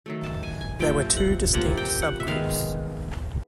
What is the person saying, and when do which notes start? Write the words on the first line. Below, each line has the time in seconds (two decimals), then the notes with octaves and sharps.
There were two distinct subgroups.
0.06 D#3 F#3 A3
0.23 A5
0.43 G#5
0.61 G#5
0.79 C3 F3 A3 G5
1.17 F#5
1.53 C3 F3 A#3 F#5
1.77 G5
2.02 F#5
2.20 E5
2.27 D#3 G#3 B3 F5